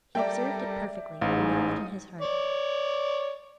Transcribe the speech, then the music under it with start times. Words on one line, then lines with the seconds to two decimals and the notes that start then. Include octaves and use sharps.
He observed it perfectly, and laughed in his heart.
0.15 G3 A4 A#4 D5 E5 G5
1.21 A1 G#2 D#4 F5
2.21 C#5 D5